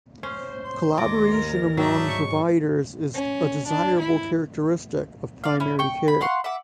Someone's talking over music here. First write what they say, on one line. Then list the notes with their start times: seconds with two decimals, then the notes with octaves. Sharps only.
Collaboration among providers is a desirable characteristic of primary care.
0.23 C#4 C5
0.64 C6
0.98 D#2 D5 D6 A#6
1.32 A#4
1.77 G#2 F#3 D4 D#4 E5
2.07 C#6
3.15 C#4
3.68 D4
4.00 E4
5.44 D5 F5
5.60 C#4 E4
5.79 G5 C#6
6.08 B5
6.21 F5 F#5 C6 C#6
6.44 E5 F#5 D6